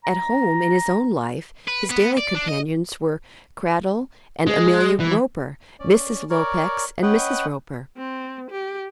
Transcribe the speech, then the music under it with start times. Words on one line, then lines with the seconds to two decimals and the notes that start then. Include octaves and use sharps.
At home, in his own life, his daily companions were Cradell and Amelia Roper, Mrs. Lupex and Mrs. Roper.
0.05 A#5
1.68 B4
1.91 B3
2.17 D5
2.35 D4
2.48 D#5
4.47 G#3
5.00 E3
5.79 C#4 D5
6.30 A#4 C#5 D5
7.02 C#4 B4 D#5 F#5 G5
7.97 C4
8.50 G4